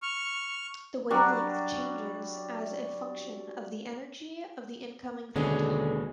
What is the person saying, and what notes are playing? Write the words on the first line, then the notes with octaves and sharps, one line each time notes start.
The wavelength changes as a function of the energy of the incoming photon.
C#6 F6
F#3 G3 D4
D#2 B2 D3 G#3 C#4 G#4